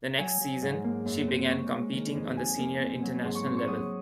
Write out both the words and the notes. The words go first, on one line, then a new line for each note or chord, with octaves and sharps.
The next season, she began competing on the senior international level.
F#3 G#5
F#3
G#2
A#3
F#2
C4
G#3 C#6
G#3
D#3
F2
F2 G#5
A#3
C4
F#3
G#2 C6
C#6
C4 C6
C#6
F#3 D#6